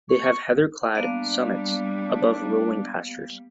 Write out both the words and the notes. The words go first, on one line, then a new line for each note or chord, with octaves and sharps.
They have heather-clad summits above rolling pastures.
C#6
G3 A#3 B3 D4 F5